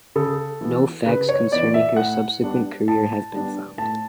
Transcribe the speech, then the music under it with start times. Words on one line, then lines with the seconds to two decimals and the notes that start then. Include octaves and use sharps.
No facts concerning her subsequent career have been found.
0.16 C#3 A4
0.61 E3 B3
1.06 C#3 B4
1.29 C#5
1.51 E3 B3 D5
1.74 E5
1.97 A2 F#5
2.42 G3 B3 D4
2.88 A2 A5
3.33 G3 B3 D4
3.78 A2 A5